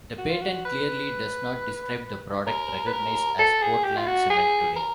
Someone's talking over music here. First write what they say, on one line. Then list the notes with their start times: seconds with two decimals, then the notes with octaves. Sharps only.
The patent clearly does not describe the product recognised as Portland cement today.
0.18 F#4
0.29 F4
0.41 F#4
0.65 B4
2.47 A#4
2.87 B4
2.93 A#4
3.39 A4
3.62 G#4
3.84 G4
3.97 F4
4.07 F#4
4.30 G#4
4.76 A#4